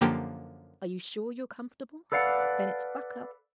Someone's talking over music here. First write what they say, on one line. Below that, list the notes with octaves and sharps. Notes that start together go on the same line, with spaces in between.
Are you sure you're comfortable?' Then it's 'Buck up!
F#2 D3 F3 A#3 G4
A4 B4 D5 F5 F#5